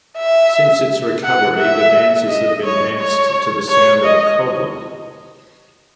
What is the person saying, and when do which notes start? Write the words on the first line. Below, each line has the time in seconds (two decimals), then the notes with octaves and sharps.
Since its recovery, the dances have been danced to the sound of a cobla.
0.18 E5
1.23 F#5
1.59 E5
2.29 D#5
2.64 C#5
2.99 C#5
3.69 C#5
4.04 D#5